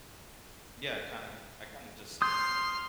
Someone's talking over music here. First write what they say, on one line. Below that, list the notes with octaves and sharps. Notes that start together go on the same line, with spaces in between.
Yeah, I kinda I kinda just
C6 D#6 F6 G6